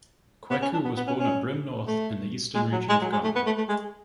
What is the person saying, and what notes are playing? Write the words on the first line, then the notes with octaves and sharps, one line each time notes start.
Kweku was born at Brim North in the Eastern Region of Ghana.
B3
C#4
D4
B3
B3
C#4
C#4
A3
G#3
F#3
G#3
F#3
G#3
A3
B3
A3
A3
G#3